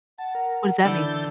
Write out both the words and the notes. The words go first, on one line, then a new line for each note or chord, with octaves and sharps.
What does that mean?
F#5 A5
A#4
D3 E3 B5 D6 E6 G6 A6